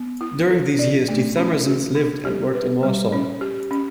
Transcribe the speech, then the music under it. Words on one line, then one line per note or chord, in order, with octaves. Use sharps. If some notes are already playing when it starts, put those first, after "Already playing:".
During these years the Themersons lived and worked in Warsaw.
Already playing: B3
E4
A4
D5
A3
C#4
F#4
D4
G4
B4
G3
C#4
G4
C#4